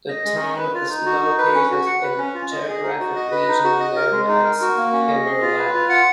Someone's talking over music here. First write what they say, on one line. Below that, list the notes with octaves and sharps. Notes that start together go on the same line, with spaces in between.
The town is located in a geographic region known as "Himmerland".
D#5
G#3
C#4
B4
F4
D#4
F#4
D#4
B4
C#4
F#4
F#5
B4
C#4
F4
D#5
G#4
D#4
F#4
D#5
B4
D#4
F#4
D#5
A#4
G#3
D#4
A#4
F#4
A#3
C#4
D#5
G#4
F4
B4
F4
F#5